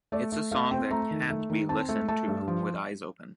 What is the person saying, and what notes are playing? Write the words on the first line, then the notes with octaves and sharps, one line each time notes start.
It's a song that can't be listened to with eyes open.
A3 D5
A3
A3 F5
C4 G5
A3 A#5
D#3
A3
D#3
C4 A5
A3
A3 A5
G2
F3